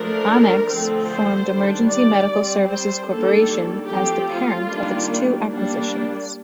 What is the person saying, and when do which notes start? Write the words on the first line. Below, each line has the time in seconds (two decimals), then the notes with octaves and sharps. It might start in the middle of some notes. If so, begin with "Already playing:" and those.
Onex formed Emergency Medical Services Corporation as the parent of its two acquisitions.
Already playing: F3 A3 D4 A#4
0.69 D3 F3 A3 C4
1.09 C5
1.49 D#3 G3 D4
1.88 D5
2.28 G3 C4
2.67 C5
3.07 D#3 G3 A#3 D4 A4
3.87 F3 A3 C4 G4
4.27 F4
4.66 D#3 G3 A#3 D4
5.47 G3 A#3 D4